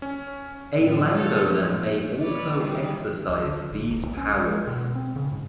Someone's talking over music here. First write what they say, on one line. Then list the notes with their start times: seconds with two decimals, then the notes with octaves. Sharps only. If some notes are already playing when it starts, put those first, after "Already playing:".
A landowner may also exercise these powers.
0.02 C#4
0.78 F#2 A2 C4
1.14 F4 A4 C#5
1.43 F2
1.76 A#2 A3
2.21 B4 C#5 D5
2.57 D#3 E3 G3
3.29 D#2
3.44 D3
3.70 G#1
3.89 D1
4.05 B1
4.17 C#4
4.34 G#3
4.67 B2
4.95 C4
5.16 C#3
5.32 G#2